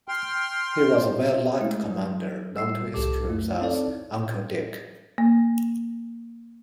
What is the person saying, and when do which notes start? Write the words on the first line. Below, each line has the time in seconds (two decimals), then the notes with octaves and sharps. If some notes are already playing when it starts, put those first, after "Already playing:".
He was a well liked commander known to his troops as "Uncle Dick".
0.08 G5 C6 F6
1.61 G#3 A3 E4
1.90 F#3
2.55 G3 E6 C7
2.94 C2 G4 A4 D6
3.30 F#2 A3 E4
3.61 C4 D#4 E4 A4 C#5 D5
5.18 A#3